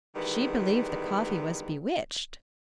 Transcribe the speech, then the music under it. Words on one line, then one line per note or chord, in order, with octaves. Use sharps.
She believed the coffee was bewitched.
B2 D#3 E3 G3 G#3 B3